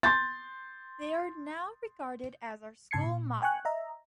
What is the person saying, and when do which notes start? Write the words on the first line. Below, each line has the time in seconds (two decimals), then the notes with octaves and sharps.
They are now regarded as our school motto.
0.03 C6 G6 A6
2.91 G#2 C#3 A5 G#6 C7 C#7
3.04 A#2
3.42 G5 G#5 C#6 F#6
3.65 D#5 E5 A#5